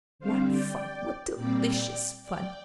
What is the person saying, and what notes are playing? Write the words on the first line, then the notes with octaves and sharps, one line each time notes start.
What fun--what delicious fun!
D3 G3 C4 C5 F5
D5 G5
A#2 G3 C4 D5 G5
D5 G5